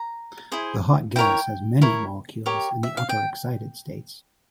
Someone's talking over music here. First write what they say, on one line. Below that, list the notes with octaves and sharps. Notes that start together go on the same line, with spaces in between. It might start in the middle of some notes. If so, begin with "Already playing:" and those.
The hot gas has many molecules in the upper excited states.
Already playing: A#5
E4 G#4 C5
E4 A#4 C#5 G5
E4 A#4 C#5
G4 A#4 C#5
E5
F5
G5